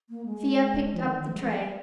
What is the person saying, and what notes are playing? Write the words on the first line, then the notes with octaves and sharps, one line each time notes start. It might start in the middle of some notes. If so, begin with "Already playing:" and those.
Thea picked up the tray.
A#3
G#3
F3
D#3
F3
G#3
F3
G3